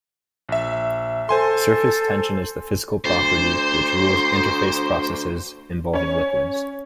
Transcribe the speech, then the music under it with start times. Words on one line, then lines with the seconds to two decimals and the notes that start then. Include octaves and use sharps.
Surface tension is the physical property which rules interface processes involving liquids.
0.49 A#1 E5
1.29 A4 C5 G#5 C6
3.05 D2 C5
5.93 C#4 C#5